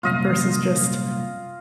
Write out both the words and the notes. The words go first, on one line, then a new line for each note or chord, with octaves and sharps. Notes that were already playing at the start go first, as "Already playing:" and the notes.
versus just,
C2 F#2 A#2 F4 D#5 F5